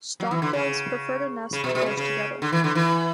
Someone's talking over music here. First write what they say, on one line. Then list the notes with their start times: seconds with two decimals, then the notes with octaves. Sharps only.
Stock doves prefer to nest close together.
0.20 F#3
0.31 E3
0.42 D3
0.53 C#3
1.53 C#3
1.64 B2
1.75 B2
1.86 C#3
1.97 C#3
2.42 D3
2.52 E3
2.64 D3
2.75 E3